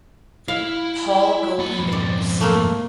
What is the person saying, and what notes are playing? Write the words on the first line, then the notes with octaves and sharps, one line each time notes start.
Paul Golden Bears.
E4 F5
A#3 B5
F2 G#2
D5
A3 A#3